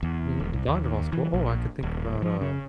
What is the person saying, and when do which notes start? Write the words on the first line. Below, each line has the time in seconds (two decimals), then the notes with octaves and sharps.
Me uh, dodgeball's cool Oh, I could think about, uh
0.03 E2
0.40 D#1
0.53 C2
0.68 D#2
1.13 E3
1.33 A#1
1.83 D#1
2.23 F3
2.41 C#3